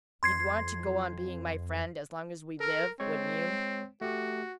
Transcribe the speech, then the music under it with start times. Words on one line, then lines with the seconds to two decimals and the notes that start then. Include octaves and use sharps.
"You'd want to go on being my friend as long as we live, wouldn't you?"
0.23 F2 C6 G#6 C7
2.60 A4 A#4 F6
3.00 G#3 C4 C#5
4.01 A3 F#4 G4